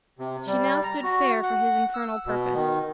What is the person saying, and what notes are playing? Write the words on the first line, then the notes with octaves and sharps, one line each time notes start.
She now stood fair for his infernal purpose.
C3
G3
A#5
F#4
F#5
E6
B2
D#3